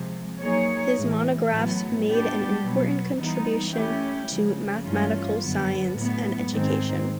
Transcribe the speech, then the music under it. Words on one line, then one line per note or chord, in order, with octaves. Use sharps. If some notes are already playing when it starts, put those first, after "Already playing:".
His monographs made an important contribution to mathematical science and education.
Already playing: C3 F3 G#3
F#3 A#3 D#4 G#4 C#5
A2 E3 G#3
A2 F#3 B3
G3 B3 D4 G4
B2 F#3 B3
E3 G3 B3 D#4
A3 C#4 E4 G4
C#3 F3 G#3
G2 E3 A3 C#4 F4
F#2 D3 F#3 B3
A2 F#3 B3
G#2 D#3 G#3 C4